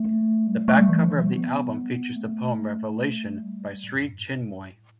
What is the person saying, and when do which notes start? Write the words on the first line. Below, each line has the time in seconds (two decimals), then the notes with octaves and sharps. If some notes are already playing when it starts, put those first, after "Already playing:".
The back cover of the album features the poem "Revelation" by Sri Chinmoy.
Already playing: A3
0.47 G3
0.68 A3
0.78 G3
0.89 E3
1.00 F3
1.11 E3
1.21 G3
1.31 B3
2.16 A3
3.42 G3
3.84 A2
3.95 F2
4.06 G2
4.16 A2